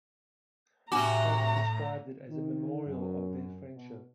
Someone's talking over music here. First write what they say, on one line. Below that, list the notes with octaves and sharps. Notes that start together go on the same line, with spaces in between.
Pope described it as a memorial of their friendship.
A2 C3 D4 F#4 A#5 D6
D#3
F#2
B2